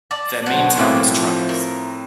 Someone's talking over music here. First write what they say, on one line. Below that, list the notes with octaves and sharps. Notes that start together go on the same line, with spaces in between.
Their main town was Trachis.
D5 A5
B2 F#3 C5 F#5
A2 A#3 C4 E5 G5 D6
F3
A#4